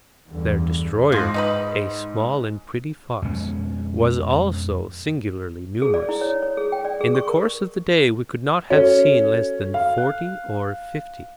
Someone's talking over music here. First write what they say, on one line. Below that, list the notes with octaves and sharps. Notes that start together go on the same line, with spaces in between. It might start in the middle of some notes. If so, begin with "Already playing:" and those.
Their destroyer, a small and pretty fox, was also singularly numerous; in the course of the day we could not have seen less than forty or fifty.
E2 G2 D3
G#2 F3 C6 A#6
D#4 B4 B5
F2 B2 G#3 C#4
G#4
D5
E4
C#5
C#5
G#4
G5
D5
G#4
C#6
A#4
C#4 F#4 A4
F5
F#6